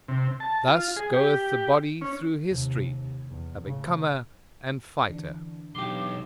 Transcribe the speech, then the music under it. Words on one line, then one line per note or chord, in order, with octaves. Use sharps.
Thus goeth the body through history, a becomer and fighter.
C3
A5
F4
G#4
G4
C#4
D#2 C3
E2
A2 C#3
D3 E3 D4
B1 G4 C6 D6